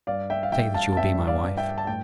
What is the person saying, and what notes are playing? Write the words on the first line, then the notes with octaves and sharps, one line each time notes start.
"Say that you will be my wife."
G2 D5 F5
E5 G5
F5
G2 E5 G5
F5 A5
A5
G2 E5 G5
D5 F5
G2
E5 G5
A5
A2 G5